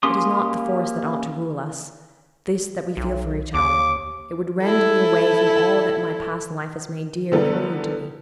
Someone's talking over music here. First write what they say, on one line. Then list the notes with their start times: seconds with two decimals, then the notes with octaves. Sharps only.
It is not the force that ought to rule us,--this that we feel for each other; it would rend me away from all that my past life has made dear and holy to me.
0.03 A#3 C#4 G4 C6 D#6
2.97 B1
3.54 D#2 D6
4.62 E4 A4
7.32 D3 E3 G3 B3 A4 A#4